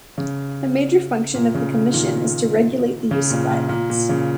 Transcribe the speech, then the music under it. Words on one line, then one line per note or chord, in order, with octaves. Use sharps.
A major function of the Commission is to regulate the use of violence.
C#3
A#2
C#3
A#2 D#3
C#3
A#2
A#2
A#2
A#2
C#3